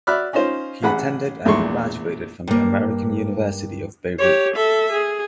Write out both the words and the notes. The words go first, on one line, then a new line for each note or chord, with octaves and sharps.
He attended and graduated from the American University of Beirut.
F#4 D5 E5 B5 F6 F#6
C#4 D#4 F4 C5
A1 G#4 F#5 B5
A#1 E2 G#3 A3 C6 C#6
G2 A#3
G4 C#5
A4 E5
G#4